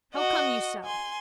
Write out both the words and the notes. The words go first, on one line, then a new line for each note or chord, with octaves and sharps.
How come you so?
F#4 D#5
G#5 C6